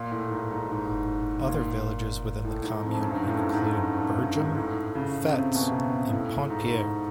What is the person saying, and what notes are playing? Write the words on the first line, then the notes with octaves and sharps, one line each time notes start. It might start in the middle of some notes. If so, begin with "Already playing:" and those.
Other villages within the commune include Bergem, Foetz, and Pontpierre.
Already playing: A#2
A2
G#2
G#2
G#2
A#2
A2
G#2
F2
F2
F#2
G2
G#2
A2
G#2
F#2
G2
G#2
G#2
A2
C#3
C3
B2
C3
C#3
A2
G#2